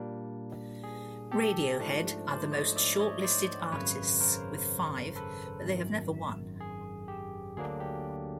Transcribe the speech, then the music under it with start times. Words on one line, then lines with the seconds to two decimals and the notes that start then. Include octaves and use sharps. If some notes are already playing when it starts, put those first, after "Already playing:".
Radiohead are the most shortlisted artists with five, but they have never won.
Already playing: A#2 G3 A#3 D4
0.84 G#4
1.31 G4 A4
1.79 G#2 F3 A3 D4
2.27 C5 D5
2.52 C#5 D#5
2.76 D5 E5
3.00 C#5 D#5
3.24 C5 D5
3.72 G#1 F#2 C#3 B4 C#5
4.20 A#4 C5
5.16 A4 B4
5.64 G#1 F#2 D#3
6.60 G#4
7.08 G4
7.57 D2 D3 F#3 A#3 D4 G#4
7.80 G4